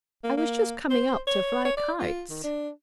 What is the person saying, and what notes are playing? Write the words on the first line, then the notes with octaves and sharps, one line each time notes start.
"I was just coming up to fly kites."
A#3
A#3
C5
C#5
C#5
D5
F4
D#3
D4